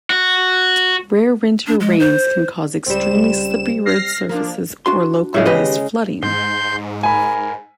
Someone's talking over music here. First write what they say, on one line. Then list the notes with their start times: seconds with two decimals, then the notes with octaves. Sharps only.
Rare winter rains can cause extremely slippery road surfaces or localized flooding.
0.10 F#4
1.67 D4
1.80 G#3
1.99 C5
2.86 C#2 G3 C4 E7
3.86 F6 A#6 C7
4.29 F3 A#3 D4
4.86 D4 F#4 C6
5.34 A2 C#3 G#3 E5
5.46 D#2 G4 B4 D#5
6.22 G#2 C6 G6
7.03 A#4 G#5 B5